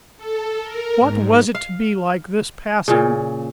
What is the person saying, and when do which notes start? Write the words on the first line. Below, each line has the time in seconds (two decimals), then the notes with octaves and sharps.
What was it to be like this passing?
0.17 A4
0.61 A#4
0.99 G#2
1.55 F5
2.88 A#2 C#3